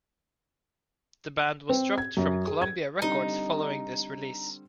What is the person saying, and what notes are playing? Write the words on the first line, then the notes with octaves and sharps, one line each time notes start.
The band was dropped from Columbia Records following this release.
C4
G#6
F#2
G#4
G#6
D3 G3 C4 D#4